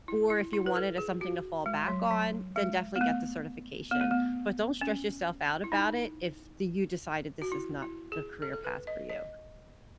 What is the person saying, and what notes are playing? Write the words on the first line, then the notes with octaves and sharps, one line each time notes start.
or if you want it as something to fall back on, then definitely get the certification. But, don't stress yourself out about it, if the you decided this is not the career path for you.
E4
E4
E4
B4
A4
G#4
F#4
G#3
F#3
F#3
G#3
B3
A3
B3
A3
B3
C#4
E4
D#4
F#4
E4
E4
G#4
A4
A4
B4
D#5
D#5